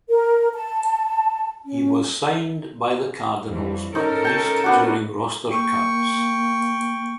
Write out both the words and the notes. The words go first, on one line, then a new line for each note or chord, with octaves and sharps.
He was signed by the Cardinals but released during roster cuts.
A#4
A5
C#4
F2 E3 G3
C#4 D#4 A4 A#4
G5 A5
B3 D4 F#4
A#3 G5 C#6